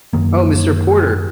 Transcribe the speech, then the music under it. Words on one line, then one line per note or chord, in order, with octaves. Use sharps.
Oh, Mr Porter!
F#2 D#3 A#3